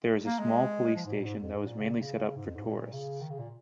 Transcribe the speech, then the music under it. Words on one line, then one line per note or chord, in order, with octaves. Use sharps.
There is a small police station that was mainly set up for tourists.
A#3
G#3
F3
G#2
A#2
G#2
F2
G#2
A#2
C#3
A#2
C#3
G#2
F2
G#2
A#2
C#3
D#3
C#3
A#2